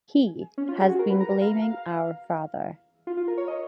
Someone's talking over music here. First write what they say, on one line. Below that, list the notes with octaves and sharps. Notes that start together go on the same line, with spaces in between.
He has been blaming our father.
C#4
F4
G#4
F#4
A#4
B4
A#5
A#5
F5
F5
F4
F4
A#4
C#5
D#5